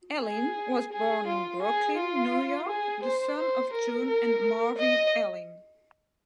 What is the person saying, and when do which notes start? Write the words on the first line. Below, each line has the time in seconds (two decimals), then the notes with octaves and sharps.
Ellin was born in Brooklyn, New York, the son of June and Marvin Ellin.
0.21 G#4
0.92 G#4
1.27 F4
1.62 G#4
1.97 F4
2.68 G#4
3.03 C5
3.37 C5
3.73 A#4
4.07 A#4
4.78 D#5